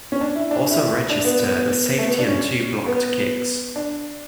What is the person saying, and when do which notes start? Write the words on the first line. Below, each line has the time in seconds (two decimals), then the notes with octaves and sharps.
Also registered a safety and two blocked kicks.
0.12 C#4
0.21 D4
0.36 E4
0.51 D4
0.61 D4
0.71 E4
1.10 D4
1.25 B3
1.40 B3
1.98 A3
2.08 B3
2.19 D4
2.28 C#4
2.86 B3
3.76 D4